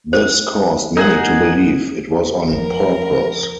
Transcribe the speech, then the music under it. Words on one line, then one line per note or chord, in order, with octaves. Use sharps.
This caused many to believe it was on purpose.
C5
D#4 G#4 A#4 F#5
F2 A#4